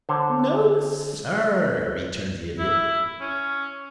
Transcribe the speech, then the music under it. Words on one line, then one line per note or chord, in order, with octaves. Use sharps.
"No, sir," returned the Idiot.
D3 C5 C#5
E4
C#4